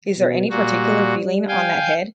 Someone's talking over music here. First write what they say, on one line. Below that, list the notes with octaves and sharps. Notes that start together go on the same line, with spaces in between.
Is there any particular feeling on that head?
B2
A#2 G3 F#4
F5 G5 G#5